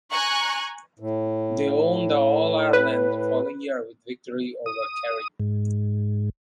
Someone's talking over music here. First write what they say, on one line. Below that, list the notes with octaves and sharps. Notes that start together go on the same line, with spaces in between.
They won the All-Ireland the following year with victory over Kerry.
G#5 A#5 C#6 F#6
A2
B4
D#6
G#2